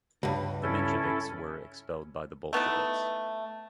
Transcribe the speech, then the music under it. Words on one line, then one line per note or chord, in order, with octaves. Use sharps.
The Mensheviks were expelled by the Bolsheviks.
C#2 G2
C#4 E4 A4
A3 B3 D#4 E4